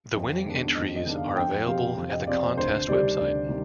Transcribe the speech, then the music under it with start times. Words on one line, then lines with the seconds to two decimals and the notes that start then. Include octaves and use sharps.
The winning entries are available at the contest website.
0.15 F2
0.46 D#3 G#3 B3 D4
0.75 F2 D#5
0.96 D#5
1.06 D#3 G#3 B3 D4
1.16 F5
1.36 F2 G5
1.66 C3 F3 C4 F5
1.96 F2
2.12 D#5
2.27 C3 F3 C4 D5
2.43 C5
2.58 D2 C5
2.88 C3 D#3 G3 D5
3.18 D2 D5
3.48 C3 D#3 G3